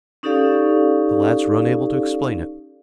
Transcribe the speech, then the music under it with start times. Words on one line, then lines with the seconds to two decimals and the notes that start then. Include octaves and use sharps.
The lads were unable to explain it.
0.23 C#4 D#4 G4 A4 D5 F5